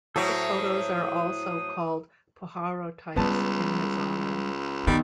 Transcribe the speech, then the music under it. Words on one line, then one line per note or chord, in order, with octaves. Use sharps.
His photos are also called puharotypes, in his honor.
A2 F#3 A4 C5 A#5 D#6
C#2 G3 B3 A5
D#2 D#3 G3 B3